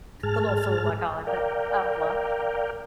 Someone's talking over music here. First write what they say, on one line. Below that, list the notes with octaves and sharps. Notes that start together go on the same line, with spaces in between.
the little fool I call him, but out of love.
G#2 G#4 A5 F6
A#4 D5 F5 G5